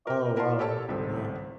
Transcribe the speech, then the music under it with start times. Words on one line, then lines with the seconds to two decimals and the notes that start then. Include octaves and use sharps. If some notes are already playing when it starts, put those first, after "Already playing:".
Oh, wow, yeah.
0.07 A#4 G5
0.36 E4 A#4 F#5 A5 C6
0.59 G4 A4 C#5 A5
0.88 G#1 C#2 D#3 G3 C4 A4